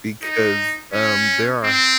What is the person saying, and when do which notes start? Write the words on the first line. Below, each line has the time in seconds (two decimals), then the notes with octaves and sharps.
Because, um, there are
0.22 D#4
0.93 C#4
1.65 C4